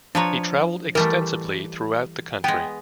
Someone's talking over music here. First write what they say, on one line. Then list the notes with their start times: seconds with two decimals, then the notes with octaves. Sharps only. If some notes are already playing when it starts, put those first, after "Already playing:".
He traveled extensively throughout the country.
0.15 F3 D4 B4 C#5 A#5
0.95 E3 G3 A3 A#4
2.44 G#3 B3 G5